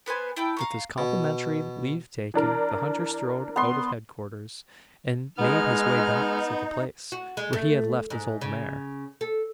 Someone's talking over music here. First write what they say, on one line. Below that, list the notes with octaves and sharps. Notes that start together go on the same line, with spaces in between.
With this complimentary leave-taking the hunter strode out of head-quarters, and made his way back to the place where he had left his old mare.
B3 B4 C5 G#5
E4 G5 A5
F5 A#5 C#6
B2
E3 D4 A#4
B3 C6
G#3 B3 D#4 F6
F#4
G#3
A3
G#2
C#3
A4